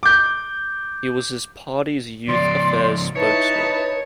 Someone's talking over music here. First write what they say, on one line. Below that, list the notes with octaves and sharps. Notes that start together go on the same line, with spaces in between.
He was his party's youth affairs spokesman.
D6 G6
C#2 F3 D5 C6
D#4 E4 B4 C#5 A5